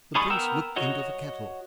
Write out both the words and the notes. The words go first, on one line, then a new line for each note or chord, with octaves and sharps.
The prince looked into the kettle.
D#4 G#4 D5 B5 C#6
B3 A#4 G5 E6
F#4 C#5 D#5 F#5